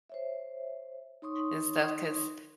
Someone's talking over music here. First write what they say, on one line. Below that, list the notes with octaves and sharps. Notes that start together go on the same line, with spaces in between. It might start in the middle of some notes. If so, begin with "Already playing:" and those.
and stuff 'cause
C5 C#5 E5
D#4 C#5 C6 C#6 D#6